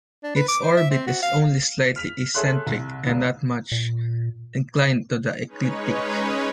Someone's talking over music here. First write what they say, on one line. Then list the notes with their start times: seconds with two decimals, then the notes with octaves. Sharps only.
Its orbit is only slightly eccentric and not much inclined to the ecliptic.
0.23 D4
0.36 B4
0.48 D6
0.63 C5
0.77 E5
0.91 C4
1.07 F#4
1.22 F5
1.96 F6 B6 F7
2.34 G#4 A4 C#5 E5 C6 F#6
2.67 C2
3.06 F1 C#2
3.72 A#2
5.46 G#3 C#4 D#4 B4 C#5